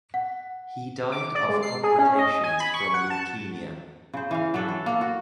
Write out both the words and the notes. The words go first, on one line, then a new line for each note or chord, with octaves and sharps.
He died of complications from leukemia.
F#5
D6
D5
G#3
C7
G#4
C#4
D#5
G#5
B5
C#6
F#5
A5
C#3 C5
E3 F5
F#3 D4 A4 B4
A4
A#3 A4
F#4